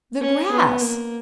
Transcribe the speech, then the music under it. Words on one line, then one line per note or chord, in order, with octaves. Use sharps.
"The grass."
C#4
B3
A#3